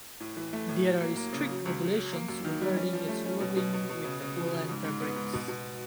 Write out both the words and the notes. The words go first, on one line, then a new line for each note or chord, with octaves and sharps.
There are strict regulations regarding its wearing with woollen fabrics.
A2
E3
A3
A2
F#3
A#3
A#3
C#3
F#3
C#2
F#3
F#3
A#3
F#2
D#3
G3
C#4
F3
A3
C#4
B2
B2
B2
B2
C#3
C#3
F3
C#3
G#2
G#2
B3
G#2
B2
B2